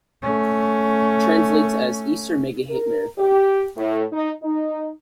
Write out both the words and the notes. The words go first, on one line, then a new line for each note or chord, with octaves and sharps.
Translates as Easter Mega Hit Marathon.
A3 C#4
A#4
G4
A2
D#4
D#4